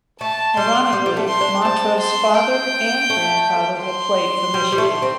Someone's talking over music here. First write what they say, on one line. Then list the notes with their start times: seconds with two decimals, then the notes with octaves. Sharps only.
Ironically, Montross' father and grandfather had played for Michigan.
0.21 A3 A5
0.57 G3 C6
0.93 G3
1.06 G3
1.17 A3
1.28 C6
1.41 D4
1.65 C4 A5
2.00 C6
2.37 G5
3.10 A3
3.81 C6
4.54 G3
4.72 G3
4.78 A3
5.02 C4